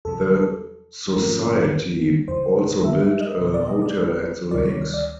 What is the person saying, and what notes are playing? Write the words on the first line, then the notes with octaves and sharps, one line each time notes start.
The society also built a hotel at the lakes.
E2 C3 F3 A4
G#2 F3 A3 C#4 F4 A#4
E2 C#3 E3 C5
E5
E5
D#5
B2 F#3 B3
D5
D#5
D5
D2 C3 D#3 G3 C4 D5
C#5
D5